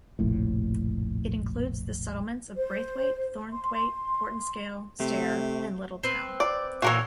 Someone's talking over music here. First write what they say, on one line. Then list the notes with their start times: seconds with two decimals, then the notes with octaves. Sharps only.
It includes the settlements of Braithwaite, Thornthwaite, Portinscale, Stair and Little Town.
0.19 F1 A#1 A2
2.56 C5
3.50 C6
5.00 C3 A3
6.03 C4 B4
6.40 D5
6.82 A#2 E3 F#4 A#4 C#5